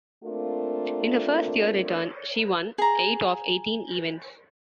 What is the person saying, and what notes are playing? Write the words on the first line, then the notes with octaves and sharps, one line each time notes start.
In her first-year return, she won eight of eighteen events.
A3 A#3 C4 D4 F4 A#4
G#4 A#5